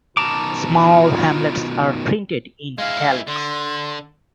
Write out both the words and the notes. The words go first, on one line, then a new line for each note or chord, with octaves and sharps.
Small hamlets are printed "in italics".
B2 D#3 A5 A#5 D6
D#4 F4
G#3 E4 F5
D3 C6